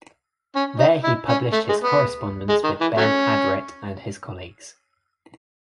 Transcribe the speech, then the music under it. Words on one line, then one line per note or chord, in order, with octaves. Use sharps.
There he published his correspondence with Ben Adret and his colleagues.
C#4
D#4
E4
C#4
A3
G#3
B3
G#3
D#3
E3
F#3 A3 C#4